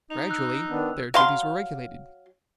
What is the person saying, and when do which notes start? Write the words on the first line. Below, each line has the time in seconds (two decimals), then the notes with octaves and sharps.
"GRADUALLY their duties were regulated."
0.10 D#4 F7
0.30 E6 F#6
0.69 D#3 B3 D4
1.14 F#3 F5 C6